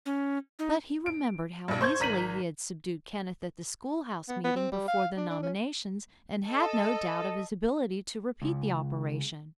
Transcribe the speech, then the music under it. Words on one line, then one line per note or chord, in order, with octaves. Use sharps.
But he remembered how easily he had subdued Kenneth at the school-house meeting before the nominations, and had no doubt of his ability to repeat the operation.
C#4
D#4
D7
B1 G2
C5 C#6 G6 G#6
G#1 A#5 B6 D#7 F#7
B3
B3
C4
G3
F5
D4
D4
C#4
A4 D#5
C#2